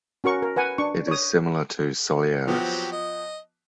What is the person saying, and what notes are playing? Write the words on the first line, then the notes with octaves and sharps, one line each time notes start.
It is similar to Soleares.
C#4 F#4 A#4 C#6
A#4
B4 F#5 G#5
D4 C#6
C#5 D#6
F3 F#3 B3 C4 G4
D#5